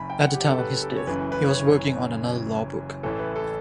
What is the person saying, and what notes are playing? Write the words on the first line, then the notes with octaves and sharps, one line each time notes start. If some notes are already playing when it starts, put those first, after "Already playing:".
At the time of his death he was working on another law book.
Already playing: F#1 F#2 B5
G5
F#5
G4
A4
B4
A4
C#5
F#1 F#2 C#3 E3 B4
B4
C#5
B4
A1 A2 E3 A4
B4
A4